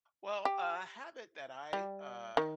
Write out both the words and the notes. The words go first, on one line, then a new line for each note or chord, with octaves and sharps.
Well, a habit that I, uh,
G4
G3
D#3